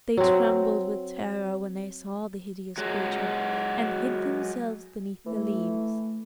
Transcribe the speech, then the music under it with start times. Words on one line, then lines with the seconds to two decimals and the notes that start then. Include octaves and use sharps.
They trembled with terror when they saw the hideous creature, and hid themselves beneath the leaves.
0.17 F#3 C4
2.78 F#3 G#3 F#4
5.26 E3 A3